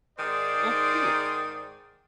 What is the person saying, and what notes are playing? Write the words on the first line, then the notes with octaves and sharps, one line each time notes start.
Oh, cool.
G#2 D#3 G#4 C5 D5